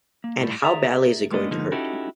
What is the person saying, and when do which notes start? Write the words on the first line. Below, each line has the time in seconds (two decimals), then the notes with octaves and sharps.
And how badly is it going to hurt?
0.24 A#3
0.40 A2 G3
0.62 G#4 D5 E5 A#5
1.31 G#3 A#3 B3 D4 D5 D#5
1.51 D3 F3 G#3 A#3 B3 D#4
1.72 C#4 D#4 E4 F#4 G4 A4